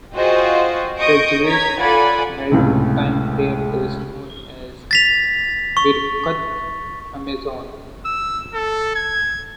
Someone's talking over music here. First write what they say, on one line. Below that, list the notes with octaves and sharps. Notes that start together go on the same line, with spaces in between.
The Jewish mealtime prayer is known as Birkat Hamazon.
F4 F#4 G#4 C5 D#5 G5
D#5 C#6 D#6 G6 A#6 D7
C#5 A#5 G#6 B6
F4 A4 D5 F#5 G#5 B5
C#2 A2 C3
A6 B6 F7
C#6
E6
A4
G#6